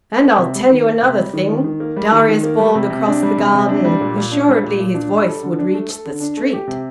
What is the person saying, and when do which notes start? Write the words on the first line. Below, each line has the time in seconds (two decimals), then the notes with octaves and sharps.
"And I'll tell you another thing," Darius bawled across the garden-- assuredly his voice would reach the street.
0.23 A#3
0.39 C3
0.55 G3
0.71 D#3
0.87 A#3
1.02 C3
1.18 G3
1.34 D#3
1.49 D#3
1.64 D#3
1.80 A#3
1.96 G3
2.12 D#3
2.28 D#3
2.43 A#3
2.59 G3
2.75 C3
2.90 C3
3.07 D4
3.23 G3
3.38 C3
3.53 C3
3.69 D4
3.85 G3
4.01 A#2
4.16 A#2
4.32 D4
4.48 G3
4.63 A#2
4.80 A#2
4.95 D4
5.11 G3
5.27 A4
5.43 D3
5.59 D4
5.74 A3
5.90 A4
6.06 D3
6.20 D4
6.37 A3
6.53 G4
6.68 C3